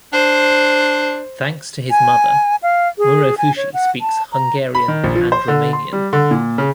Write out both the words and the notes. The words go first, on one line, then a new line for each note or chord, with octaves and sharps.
Thanks to his mother, Murofushi speaks Hungarian and Romanian.
D4 C5
G#5
F5
G#4
G#5
C#5
F#5
A5
A#5
B5
D#3
A#1
F3
C5
D3
C6
G3
D3
A#2
C#3